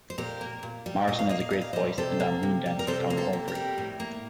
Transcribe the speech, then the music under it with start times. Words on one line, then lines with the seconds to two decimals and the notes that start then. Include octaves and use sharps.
Morrison has a great voice and on "Moondance" he found a home for it.
0.10 C5
0.18 A#2 G4 A#4
0.41 A#3
0.63 A#2
0.86 G3
1.08 A#2 D#5
1.19 F5
1.29 A#3 D#5
1.40 F5
1.50 A#2 D#5
1.62 F5
1.73 C5 D#5
1.76 G3
1.98 C3 A4 C5
2.20 A#3
2.43 C3
2.66 G3
2.79 A#4
2.87 C3 A4 C5
3.10 A#3
3.17 A4 C5
3.33 C3
3.48 G4 A#4
3.55 G3
3.78 A2
4.00 A#3